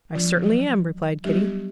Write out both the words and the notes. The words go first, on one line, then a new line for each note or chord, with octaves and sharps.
"I certainly am," replied Kitty.
F3 G3 A#3 D4 F4
F#3 F#4
F#3 G3 B3 D4 G4